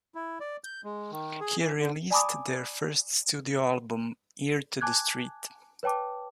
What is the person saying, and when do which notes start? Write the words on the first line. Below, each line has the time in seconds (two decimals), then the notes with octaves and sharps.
He released their first studio album, "Ear to the Street".
0.15 E4
0.40 D5
0.64 G6
0.84 G#3
1.11 D#3
1.41 G#4
1.59 E3
1.79 D3
2.10 D5 G#5 A5 B5 D6 D#6
4.81 G#5 A5 D6 F#6 G#6
5.83 B4 C#5 G5 A5 D6